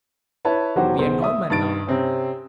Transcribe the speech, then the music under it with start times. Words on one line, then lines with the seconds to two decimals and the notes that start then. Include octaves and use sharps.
We are Norman now.
0.45 E4 B4 C#5 A5
0.76 E1 D#3 F#3 F#4 G4 C5
0.99 B1 C#3 C5
1.22 E5 D#6 E6
1.50 G2 D#3 A6 D7
1.87 C3 C4 C#4